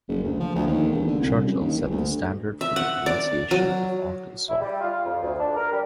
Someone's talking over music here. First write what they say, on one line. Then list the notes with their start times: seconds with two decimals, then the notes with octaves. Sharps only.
Churchill set the standard for the pronunciation of Arkansas.
0.08 F#1
0.23 D2
0.40 F3
0.55 D2
0.67 D#2
0.92 E1
1.08 D3
1.21 C2
1.45 F#2
1.60 D#2
1.77 G1
1.91 D2
2.61 E5
2.76 F#5
3.06 D5
3.51 F#3
4.49 E4
4.61 G3
4.80 F4
5.06 F2
5.21 D2
5.39 D4
5.57 A#4
5.71 G3